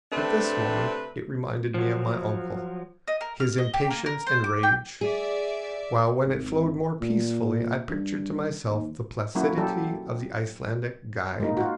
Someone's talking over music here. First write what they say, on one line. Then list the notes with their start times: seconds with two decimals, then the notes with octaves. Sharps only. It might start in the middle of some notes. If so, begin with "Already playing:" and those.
At this moment it reminded me of my uncle, his impatience and rage, while when it flowed more peacefully, I pictured to myself the placidity of the Icelandic guide.
0.12 C3 A3 C4 D4 B4
1.74 F3 F#3
3.08 D#5
3.21 A#4
3.40 F6
3.58 D#5
3.74 G4
3.91 A#3
4.06 A#4
4.27 C5
4.44 D6
4.63 G5
5.01 G#4 D5 E5
6.25 G#1
7.01 A#2
7.89 G2
8.71 D#2
9.35 F#3 A#3 C#4 E4 F#4
9.58 F#3 G4 A4
11.40 G#3 A#3 D#4
11.57 F4 F#4